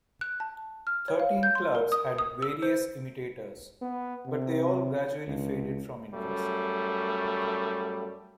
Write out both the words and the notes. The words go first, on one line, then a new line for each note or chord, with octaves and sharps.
Thirteen Clubs had various imitators, but they all gradually faded from interest.
F#6
A5
F6
C#5
F5
G6
C6
A#4
D#6
D#6
E6
C5
B3
C3
C#2
F#2 G3 A3